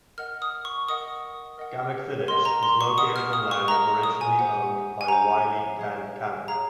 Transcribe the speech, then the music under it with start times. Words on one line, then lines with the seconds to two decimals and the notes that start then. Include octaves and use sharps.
Cammack Village is located on land originally owned by Wiley Dan Cammack.
0.18 A#4 D#5 F#5 F6
0.42 D#6
0.65 C#6
0.89 A#4 D#5 F#5 D#6
1.58 A#4 D#5 F#5
2.28 A#4 D#5 F#5 C6
2.45 A#5
2.63 C6
2.81 C#6
2.98 A#4 D#5 F#5 D#6
3.16 F6
3.33 D#6
3.51 C#6
3.68 A#4 D#5 F#5 A#5
4.03 D#6
4.21 G#5
4.39 C5 F#5
5.01 G#5
5.08 C5 F#5 A#5
5.78 G#4 C#5 F5
6.48 G#4 C#5 F5 A#5